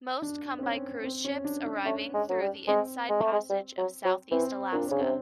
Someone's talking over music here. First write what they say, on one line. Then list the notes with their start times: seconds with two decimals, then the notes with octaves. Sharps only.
Most come by cruise ships arriving through the Inside Passage of Southeast Alaska.
0.22 D4
0.59 C4
0.63 C#4
1.04 C4
1.25 C#4
1.44 D4
1.65 D4
1.85 A3 C#4
2.14 G#3
2.29 F#3
2.41 G3
2.67 G#3 C4
3.09 G#3
3.21 A3
3.32 G#3
3.50 G3
3.78 F#3
4.05 F#3
4.31 E3 C4
4.72 A#2 D4
4.87 C#3 C#4
5.00 C3 C4